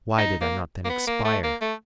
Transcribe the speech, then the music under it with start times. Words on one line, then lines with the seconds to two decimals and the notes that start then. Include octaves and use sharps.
Why did I not then expire!
0.18 D#4
0.41 A#3
0.85 A#3
0.89 B3
1.07 A#3
1.24 A3
1.43 A#3
1.61 A3